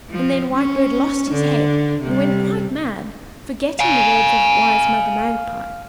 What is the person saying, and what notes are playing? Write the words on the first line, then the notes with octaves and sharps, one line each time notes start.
And then Whitebird lost his head and went quite mad, forgetting the words of wise Mother Magpie.
F3
C#4
D3
C3 G3
F5 G#5